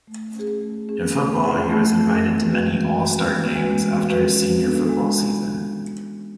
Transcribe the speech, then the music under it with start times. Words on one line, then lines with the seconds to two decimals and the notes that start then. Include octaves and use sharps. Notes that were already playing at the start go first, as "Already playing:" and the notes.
In football, he was invited to many all-star games after his senior football season.
0.07 A3
0.35 C#4 G#4
0.61 A3
0.89 C#4 G#4
1.16 A3
1.42 C#4 G#4
1.69 A3
1.96 C#4 G#4
2.22 E3
2.49 G#3 C#4 F#4 B4
2.76 E3
3.03 G#3 C#4 F#4 B4
3.29 E3
3.56 G#3 C#4 F#4 B4
3.82 E3
4.10 G#3 C#4 F#4 B4
4.37 G#3
4.63 B3 D4 A4
4.89 G#3